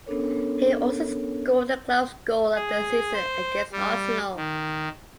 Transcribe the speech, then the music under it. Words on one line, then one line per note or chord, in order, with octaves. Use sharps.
He also scored the club's goal of the season against Arsenal.
B3 C#4 D4 A4 A#4 C#5
G#4
C5
G3
D#3